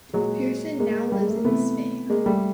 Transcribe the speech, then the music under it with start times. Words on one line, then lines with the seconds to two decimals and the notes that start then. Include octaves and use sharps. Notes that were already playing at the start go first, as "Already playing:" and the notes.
Pearson now lives in Spain.
0.13 A#2 F#3 G#3
0.79 G#3 A#3
1.12 G3
1.20 G#3
1.28 A3
1.36 A#3
1.45 C3 E3 A3 B3
2.10 G#3 A#3
2.26 G3 A3